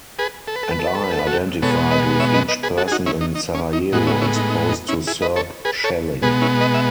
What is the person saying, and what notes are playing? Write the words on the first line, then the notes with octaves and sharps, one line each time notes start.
And I identified with each person in Sarajevo exposed to Serb shelling.
G#4 B4
A4
B4
A4
B4
A4
B4
A4
B4
A4
B4
F#4 A4
B2 G#3 B3 A4 C#5
B4 D#5
C#5 E5
B4 D#5
B4 D#5
G#4 B4
F#4 A4
G#4
D#4 F#4
C#4 E4
D#4
D#4
C#4
D#4
A2 G#3 B3 D#4 F#4
C#4 E4
C#4 E4
D#4
D#4
D#4
C#4 E4
E4 G#4
B4 D#5
A4 C#5
G#4 B4
A4 C#5
B2 G#3 B3 G#4 B4
C#4 E4
B4 D#5
E5